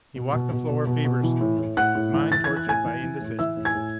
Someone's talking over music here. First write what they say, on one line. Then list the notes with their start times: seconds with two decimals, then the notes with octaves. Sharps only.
He walked the floor feverishly, his mind tortured by indecision.
0.16 B2
0.33 B2
0.51 B2
0.69 B2
0.87 B2
1.05 B2
1.23 E3
1.41 A2
1.59 A2
1.77 A2 F#5 F#6
1.95 A2
2.13 E3
2.31 E3 A6
2.44 E3 G#6
2.56 F#6
2.66 A2 G#5 G#6
2.85 E3
3.03 E3
3.21 A2
3.39 E3 E5 E6
3.57 A2
3.65 G#5 G#6
3.75 A2